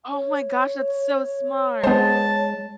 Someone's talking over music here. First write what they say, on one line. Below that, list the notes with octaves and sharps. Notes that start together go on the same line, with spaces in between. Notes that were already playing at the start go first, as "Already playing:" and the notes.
Oh my gosh. That's so smart.
C#5
G#3 B3 C5 A5